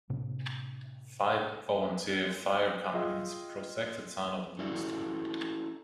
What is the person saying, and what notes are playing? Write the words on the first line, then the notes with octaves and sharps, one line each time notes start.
Five volunteer fire companies protect the Town of Lewiston.
A2 C3 A#3 D4
F4 G#4 D#5 E5 G5
C#4 E4 F#4 G4 A4 D5